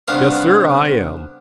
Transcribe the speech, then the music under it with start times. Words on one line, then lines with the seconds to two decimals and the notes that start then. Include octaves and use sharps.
"Yes, sir, I am."
0.08 C2 D3 D#3 B3 F5 D#6